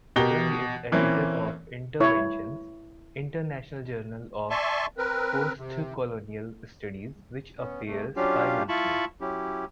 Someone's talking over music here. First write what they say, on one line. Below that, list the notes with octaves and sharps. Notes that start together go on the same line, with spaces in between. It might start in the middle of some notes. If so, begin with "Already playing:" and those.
Young is Editor of "Interventions: International Journal of Postcolonial Studies" which appears bimonthly.
B2 G4 A#4 G7
A#2 E3 A#3 C4 C#4 E4
E4 C#5
D5 E5 G#5 A5 C6 C#6
C4 A#4 B4
C3
B3 C#4
C3 A3
F#3 C#4 D4 F4 G4 F5
E4 F4 A5 B5 C#6
F#3 C#4 E4 G4